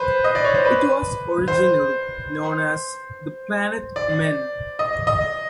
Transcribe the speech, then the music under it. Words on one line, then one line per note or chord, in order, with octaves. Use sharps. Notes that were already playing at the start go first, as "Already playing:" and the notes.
It was originally known as "The Planet Men".
Already playing: B4 C5
D#5
D5
C#5
C5
B4
C5
D5
D#5
D#5